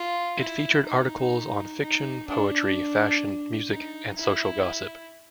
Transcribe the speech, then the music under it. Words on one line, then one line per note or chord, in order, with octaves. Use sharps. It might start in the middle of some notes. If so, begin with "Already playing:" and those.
It featured articles on fiction, poetry, fashion, music, and social gossip.
Already playing: F4
E4
D#4
D#4
D4
D#4
E4